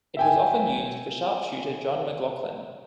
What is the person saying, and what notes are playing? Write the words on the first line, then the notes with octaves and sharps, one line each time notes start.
It was often used for sharpshooter Jon McGlocklin.
E5 G5 G#5